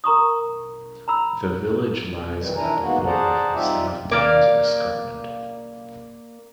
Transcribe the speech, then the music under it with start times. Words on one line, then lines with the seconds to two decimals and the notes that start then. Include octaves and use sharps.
The village lies at the foot of the South Downs escarpment.
0.04 A#4 A#5 C#6 D#6
1.08 A#5 B5 E6
2.38 D#3 E3 G3
2.56 D#3 D4 E4 A#4 G#5 A#5
2.81 E2 G#3 A#3 B3 D#4 F#4
3.05 G#4 C5 D5 F#5 A5 A#5
3.54 G3 C4 D#4 F4 G4 E5
4.11 A#3 D5 F5